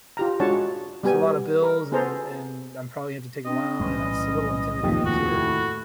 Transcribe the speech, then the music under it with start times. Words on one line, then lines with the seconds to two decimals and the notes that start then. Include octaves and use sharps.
it's a lot of bills and and I'm probably gonna have to take a loan and that's a little intimidating too.
0.17 F4 G4 A#5
0.40 G#3 D4 F#4 C#5 F#5 A5
1.03 G3 B3 G4 G#5
1.63 A#4
1.92 B3 G#4 A4 C5 A#5
3.46 C4 D4 D#5
3.80 B1 A2 E3 G3 G#3 C#4
4.82 F1 D#2 F3
5.05 A2 D#3 F#4
5.27 A3 E4 A4